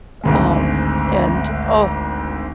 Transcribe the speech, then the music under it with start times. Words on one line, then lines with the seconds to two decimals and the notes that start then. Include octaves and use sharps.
um, and, oh
0.23 G#1 D2 G#3